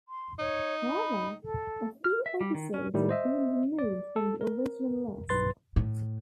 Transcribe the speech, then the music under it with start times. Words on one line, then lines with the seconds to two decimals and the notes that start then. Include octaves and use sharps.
However, a few episodes have been removed from the original list.
0.08 C6
0.39 D#4 C#5
0.87 B5
1.43 A4
2.04 F6
2.26 E5
2.41 G3
2.55 D#3
2.74 C#4
2.94 A2 D#3 G3 E4
3.09 C5 D#5 E5
3.79 D5
4.16 A4
4.41 A#4
5.29 B1 G2 B4 C6 A6
5.76 A2